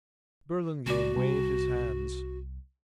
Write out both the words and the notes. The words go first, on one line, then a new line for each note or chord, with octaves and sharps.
Burlingame waved his hands.
C#2 F#4 D5
C2